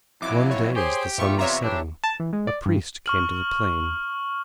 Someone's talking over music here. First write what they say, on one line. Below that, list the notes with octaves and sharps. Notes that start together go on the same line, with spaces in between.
One day as the sun was setting, a priest came to the plain.
F2 F#3 E4 D6
C#5
G4 G#4 C5 G#5 C6
D2 G2 A#2 F4 E5 C#6
E2 C3 B3 C#5 D5 E5 A#5
E3 D4 G4
A5
E3
G#3
D5
G2
C#6 F6 F#7